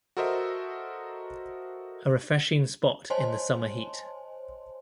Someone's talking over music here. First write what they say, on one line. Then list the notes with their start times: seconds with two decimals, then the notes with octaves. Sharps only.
A refreshing spot in the summer heat.
0.17 F#4 A4 A#4 C5 D#5 E5
3.10 C5 C#5 D#5 G#5 A5 C6